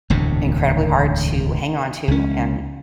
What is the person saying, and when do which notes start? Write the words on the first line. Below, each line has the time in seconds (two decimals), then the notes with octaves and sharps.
incredibly hard to hang on to, and
0.10 E1 D2 A2 C3
2.08 C#2 C#4